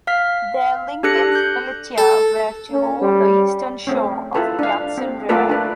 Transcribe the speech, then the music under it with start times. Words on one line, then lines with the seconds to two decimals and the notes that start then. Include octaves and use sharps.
There Lincoln's militia were to hold the eastern shore of the Hudson River.
0.07 F5 F6 B6
1.03 D4 G4 A4 F#6 A#6 C#7
1.32 F#6 G6
1.98 A4
2.69 C#4
3.00 G3
3.87 A3 C4 C#4
4.35 E4 F4 A4 B4
4.59 D4 F5
4.98 C4
5.29 A3 A#3 F4 A4 B4 D5
5.49 D4 B4